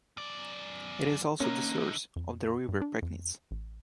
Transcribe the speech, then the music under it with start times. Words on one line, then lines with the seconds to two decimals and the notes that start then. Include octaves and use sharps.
It is also the source of the river Pegnitz.
0.17 F#2 D5
1.40 D3 A#3 C#4 D#4 A#4
2.16 F2
2.68 G2
2.81 D4
3.02 F2
3.51 A1